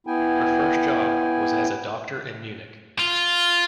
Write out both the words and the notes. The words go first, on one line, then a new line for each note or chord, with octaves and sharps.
Her first job was as a doctor in Munich.
B3 E4 G5 G#5
F4